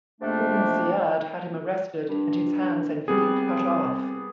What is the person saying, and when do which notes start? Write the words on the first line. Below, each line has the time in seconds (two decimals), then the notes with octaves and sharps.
Ibn Ziyad had him arrested and his hands and feet cut off.
0.21 F2 G#2 C3 A3 A#3 D4
2.09 G2
3.08 C2 G3 B3 G#4